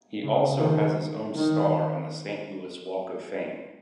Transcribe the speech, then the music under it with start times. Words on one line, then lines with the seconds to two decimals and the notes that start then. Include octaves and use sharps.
He also has his own star on the Saint Louis Walk of Fame.
0.21 C#3
0.59 D#3
1.35 D#3